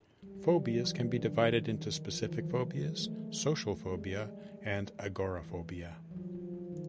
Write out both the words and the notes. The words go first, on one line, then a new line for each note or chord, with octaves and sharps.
Phobias can be divided into specific phobias, social phobia, and agoraphobia.
G3
G3
F#3
E3
F#3
E3
D#3
D3
D#3
D#3
D#3
F3
E3
D#3
E3
F#3
G#3
A3
G3
G#3
E3
F#3
F3
F3
F3
D#3